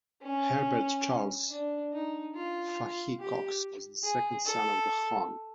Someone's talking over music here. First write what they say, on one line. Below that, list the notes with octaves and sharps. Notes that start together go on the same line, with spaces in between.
Herbert Charles Fahie Cox was the second son of the Hon.
C#4
D4
D#4
F4
G4
G#4
A4